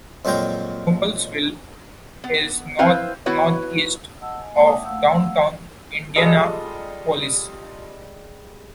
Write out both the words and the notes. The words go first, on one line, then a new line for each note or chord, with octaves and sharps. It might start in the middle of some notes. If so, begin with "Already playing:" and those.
Noblesville is north-northeast of downtown Indianapolis.
F2 A#2 F#3 G#3 G5 A#5
B3
C4 E4 B4 C5 F5
B3 E4 F#4 B4 C#5
D#5 F#5 A5 E6
D#5 G#5
G#3 A#3 C#5 D5 G#5
E5 F#5 G5 A5 D6 D#6
A3 F5 F#5 E6
G3 G#3 F4 A4 D#5